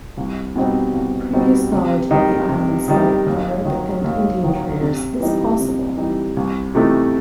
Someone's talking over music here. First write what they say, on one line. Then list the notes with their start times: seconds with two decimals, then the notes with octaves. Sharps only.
Previous knowledge of the islands by Arab and Indian traders is possible.
0.17 C2
0.56 B2 G3 C4 D#4
0.94 C2
1.33 B2 G3 C4 D#4
1.72 C3
2.11 D#3 G3 D#4
2.49 C3
2.88 D#3 G3 D#4
3.26 D#2
3.65 D#3 F#3
4.04 D#2
4.43 D#3 F#3
4.81 C3
5.20 E3 G3 D#4
5.59 C3
5.97 E3 G3 D#4
6.37 C2
6.75 C3 E3 A3 D#4